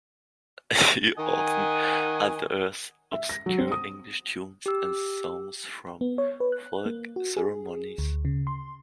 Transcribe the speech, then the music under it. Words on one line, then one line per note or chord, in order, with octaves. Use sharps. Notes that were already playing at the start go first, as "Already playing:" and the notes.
He often unearths obscure English tunes and songs from folk ceremonies.
D#3 D#5 F#5 G#5
E5
A#6
F#3
C4
D#6
G4 E6
B3
C#5
B4
F#6
A#3
F#4
G#4
D2
C#3
C6